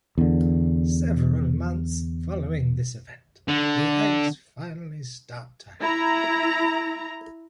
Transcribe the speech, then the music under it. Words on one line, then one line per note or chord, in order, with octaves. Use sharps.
Several months following this event, the eggs finally start to hatch.
E2 D3
D3
E4 A#5